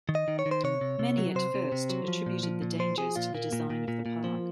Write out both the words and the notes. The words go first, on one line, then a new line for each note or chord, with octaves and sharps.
Many at first attributed the dangers to the design of the park.
D#3
D#5
D#3
C#5
D#3
C5
C3 C#5
C3
C3
F#3
C3 C5
C3
C3
F#3
F3
A#2
F3
A#2
F3 C5
F3 G#4
A#2 F4
A#2 A#3
A#2
A#2
A#2
A#2
F3